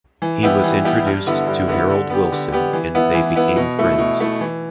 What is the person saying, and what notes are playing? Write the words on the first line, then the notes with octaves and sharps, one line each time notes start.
He was introduced to Harold Wilson and they became friends.
E3
G3 B3 E4 G4
E3
G3 B3 E4 G4
G2
D3 B3 E4
G2
D3 B3 E4
D3
B3 G4
D3
B3 G4
E3
B3 E4
E3
B3 E4
B2
A3 E4
B2
A3 E4
E3